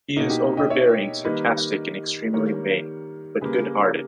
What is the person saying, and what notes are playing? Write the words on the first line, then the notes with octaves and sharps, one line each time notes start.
He is overbearing, sarcastic, and extremely vain, but good-hearted.
B2 A#3 D#4
D#4 G4
D#5 G5
C#5 E5
D#3 G3 A#3 B4 D#5
D#3 G3 A#3 A#4 C#5
C#3 G3 A#3 G#4 B4